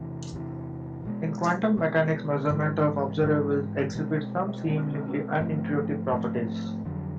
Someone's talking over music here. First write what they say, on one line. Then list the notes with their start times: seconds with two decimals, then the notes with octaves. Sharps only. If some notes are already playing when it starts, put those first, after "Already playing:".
In quantum mechanics, measurement of observables exhibits some seemingly unintuitive properties.
Already playing: E2 C3 E3
0.33 E2 C3 E3
1.05 B2 G#3 B3
1.77 B2 G#3 B3
2.50 G#2 E3 G#3
3.23 G#2 E3 G#3
3.95 B2 G#3 C4
4.67 B2 G#3 C4
5.40 G#2 F3 A3 C4
6.12 G#2 F3 A3 C4
6.85 F2 D3 F#3